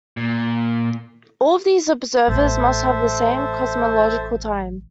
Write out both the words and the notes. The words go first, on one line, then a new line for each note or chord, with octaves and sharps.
All of these observers must have the same cosmological time.
A#2
A1 A4 C5 E5